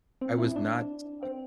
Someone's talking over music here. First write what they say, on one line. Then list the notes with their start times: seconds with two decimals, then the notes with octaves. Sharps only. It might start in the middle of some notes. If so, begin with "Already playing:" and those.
I was not I
0.21 C4
0.39 E4
0.56 D4
1.23 C4